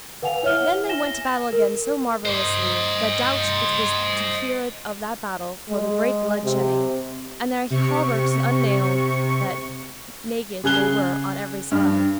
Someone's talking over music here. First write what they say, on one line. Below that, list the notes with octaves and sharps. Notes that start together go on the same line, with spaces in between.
Then they went to battle again so marvellously that doubt it was to hear of that battle for the great blood-shedding, and their hauberks unnailed that naked they were on every side.
B4 F5 F#5 G#5 F7
E4 C#5 E5 F6 G7
G#5 A#6 E7 G7
A#4
C5 D#5
G#3
C3
C3 C#6
C#3 G#4 F#6 G7
G2